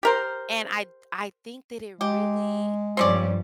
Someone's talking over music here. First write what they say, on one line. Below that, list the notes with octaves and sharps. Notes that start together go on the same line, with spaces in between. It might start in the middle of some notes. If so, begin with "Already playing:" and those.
And I I think that it really
G4 A#4 C5
G#3 G4
G2 F3 G3 C4 C#4 D5